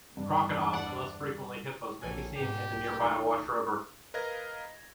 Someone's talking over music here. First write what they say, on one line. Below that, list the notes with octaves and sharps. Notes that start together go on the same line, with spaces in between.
Crocodiles and, less frequently, hippos may be seen in the nearby Awash River.
E2 G2 D4
D5 F#5
A#1 C#4 A4 G#5
G#2 B2 G4
B1
D#3 A3 F4
A#4 B4 D#5 F5 G#6 A#6